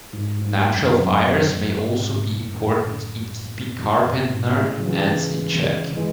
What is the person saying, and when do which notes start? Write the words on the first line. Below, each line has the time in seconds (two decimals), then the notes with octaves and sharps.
Natural fires may also be important in keeping carpenter ants in check.
0.13 G#2
0.41 G#2
0.69 F#2
0.97 F#2
1.80 G#2
2.08 G#2
2.25 B2
2.35 F#2 A2
4.30 G#2 B2
4.58 A2 C#3
4.80 F#3
4.86 C#3 E3
5.97 E3 G#3